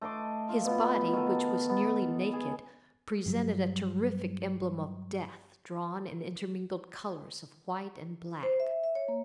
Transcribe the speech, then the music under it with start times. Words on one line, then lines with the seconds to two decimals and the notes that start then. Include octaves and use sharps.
His body, which was nearly naked, presented a terrific emblem of death, drawn in intermingled colors of white and black.
0.01 A3 D#5 C6 D6
0.49 F4
0.65 B2 B3
1.13 D#3 A4
1.69 B3
2.33 G#4
3.26 G2 F#3 G3
8.43 C5
8.60 E5
8.84 E5
8.95 C#5
9.08 A#3